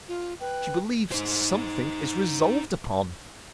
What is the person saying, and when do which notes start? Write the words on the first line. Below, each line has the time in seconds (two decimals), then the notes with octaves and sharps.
She believes something is resolved upon.
0.08 F4
0.40 B4 G5
1.12 D#4 C5